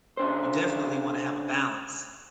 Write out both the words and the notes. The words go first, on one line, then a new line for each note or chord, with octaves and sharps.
you definitely wanna have a balance.
C#3 D4 C5